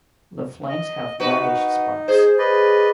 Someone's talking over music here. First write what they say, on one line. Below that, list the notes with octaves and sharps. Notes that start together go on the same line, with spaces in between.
The flanks have whitish spots.
D#5
D#4 F#4 B4
G#4 C5
B4 D5 D#5